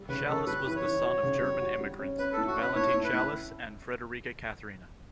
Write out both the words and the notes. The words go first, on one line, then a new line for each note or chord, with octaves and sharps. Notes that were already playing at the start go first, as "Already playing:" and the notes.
Shallus was the son of German immigrants, Valentine Schallus and Frederica Catherina.
Already playing: G3
C#3 B4
C#3 A4
G3 B4
E3 B4
C#5
E3
F#4
C#3
G3
F#4
G3
C#4
C#4 B4
A2 A4
F#4
C#4 B4
A2 C#5
A2
B4
A2